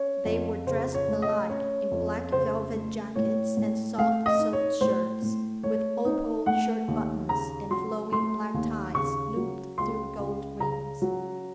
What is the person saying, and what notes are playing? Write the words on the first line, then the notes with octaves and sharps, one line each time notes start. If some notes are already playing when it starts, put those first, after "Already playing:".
They were dressed alike, in black velvet jackets and soft silk shirts, with opal shirt-buttons and flowing black ties looped through gold rings.
Already playing: C#4 C#5
F2
C#3 C5
C#5
A3
D#5
C#4 C#5
F2
C#3 C5
A3
A2 C#5
A2
A3 F5
D#5
D#4
C#5
A2 C5
A2
A3 C#5
D#4
A3 F#5
D#2
C#3 A#5
F#3 C6
A3 C6
D#2
C#3 C#6
F#3
C#2 C6
C#2
C#3 A#5
F#3